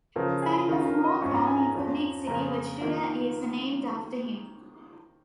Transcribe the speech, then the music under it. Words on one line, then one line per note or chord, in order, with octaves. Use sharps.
Turning a small town into a big city which today is named after him.
C#3 F3 C#4 A#4
G#4
D#3 C#4 F4 A#4
A#4
D#5
G#2 G#3 C#4 F4 C#6
A#5
G#5
A#5
F2 F3 C#4
F2 C#3 A#3 C#4 A#5
D#3 A#3 F4